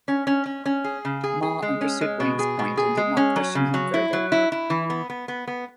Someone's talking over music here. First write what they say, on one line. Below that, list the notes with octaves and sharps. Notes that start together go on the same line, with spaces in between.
Ma understood Wang's point and did not question him further.
C#4
C#4
C#4
C#4
G#4
C#3
G#4
G#4
G#3
C#4
G#3
B2
G#4
B2
G#4
G#3
C#4
F#3
C#3
F#3
E4
F#3
E4
E4
E3
B3
B3
B3
B3